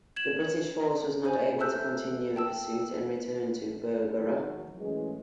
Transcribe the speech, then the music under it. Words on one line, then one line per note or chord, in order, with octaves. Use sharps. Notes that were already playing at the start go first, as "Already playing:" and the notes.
The British force was not able to continue the pursuit, and returned to Berbera.
G#6 E7 F#7
C5 G#5
A4 E5 A5 E6 F#6 G6
G5 A5 E6
G#1 F#3
F#2 A2 E3 F#3 G#3